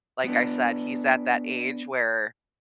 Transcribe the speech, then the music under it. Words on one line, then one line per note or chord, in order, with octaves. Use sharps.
like I said, he's at that age where
B3 D4